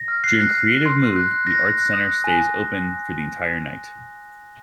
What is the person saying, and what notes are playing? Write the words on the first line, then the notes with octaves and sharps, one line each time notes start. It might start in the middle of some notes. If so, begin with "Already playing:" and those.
During "Creative Move", the Art Center stays open for the entire night.
Already playing: A#6
F6
F#6 C7
F#6
F#6
F#6
C6
C6
F#6
F#6
F#6 A#6
F#6
F#6
D#6
F#6
G#5
G#5
G#5